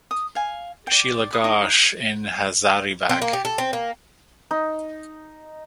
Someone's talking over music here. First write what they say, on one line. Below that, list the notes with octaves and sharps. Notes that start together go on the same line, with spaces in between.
Sheila Ghosh in Hazaribagh.
D#6
F5 G#5
D5 G5
B5 D#6
D#4 D#6
C4
A#3
G4
A4
C4
A#3
D#4